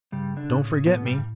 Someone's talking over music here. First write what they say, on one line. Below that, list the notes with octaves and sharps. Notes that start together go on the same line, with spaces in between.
"Don't forget me."
G2 C#3 G3
D3 D4
A2
C#3 C#4
B2 B3
G2 G3